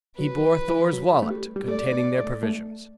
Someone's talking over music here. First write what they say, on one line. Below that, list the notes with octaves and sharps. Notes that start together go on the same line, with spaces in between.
He bore Thor's wallet, containing their provisions.
F#3 B4
E3
E3
F#3
A3
G3
G3
A3 D5
B3
A3
A3